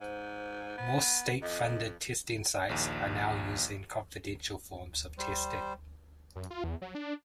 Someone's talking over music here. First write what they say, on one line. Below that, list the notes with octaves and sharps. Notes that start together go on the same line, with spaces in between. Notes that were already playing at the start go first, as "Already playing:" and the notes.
More state funded testing sites are now using confidential forms of testing.
G#2 C5
B3
F2 D#5
A#1 D#2
G3 C5
F#2
F4
E2
F#3
D4